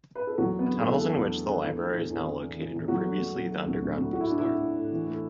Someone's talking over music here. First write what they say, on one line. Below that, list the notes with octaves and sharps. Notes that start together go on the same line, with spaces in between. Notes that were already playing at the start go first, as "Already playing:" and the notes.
The tunnels in which the library is now located were previously the Underground Bookstore.
B4
A4
E2 F#3 F#4
A3
B3 B4
D3
A3 A4
E2
A3 A4
E2
A3
D3
E2
A3
E2
E2
E3
E3
E3
E2
F#3 A3 F#4
D3
F#3
F#3
A3
D2
D2
D2
A2 F#4
E4
A2 D4
E4
A2
A2
A2
E3
A3